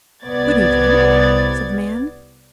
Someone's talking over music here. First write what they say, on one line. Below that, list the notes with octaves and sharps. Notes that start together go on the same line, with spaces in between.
"Good-evening," said the man.
C2 B3 D5 G#6 A6